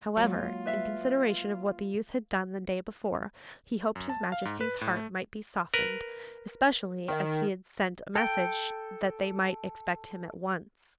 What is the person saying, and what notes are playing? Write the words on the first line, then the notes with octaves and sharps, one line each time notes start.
However, in consideration of what the youth had done the day before, he hoped his majesty's heart might be softened, especially as he had sent a message that they might expect him at once.
F#3 G#3 A#3 F4
B4 E5 F5
F#2
A5
F5
G#2
B4
A2
A3
A#4 B4
D#3
A4 G5